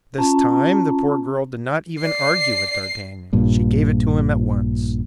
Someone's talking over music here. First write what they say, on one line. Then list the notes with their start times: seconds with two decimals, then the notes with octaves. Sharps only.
This time the poor girl did not even argue with d'Artagnan; she gave it to him at once.
0.18 C#4 F4 A5 A#5
2.03 D5 C7
3.33 A#1 G2 A#2